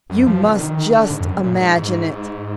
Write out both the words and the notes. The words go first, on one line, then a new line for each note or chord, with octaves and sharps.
You must just imagine it.
F#2
F3
B2
D3
D#3
D3
G#2
F2
F#2
A#2
G#2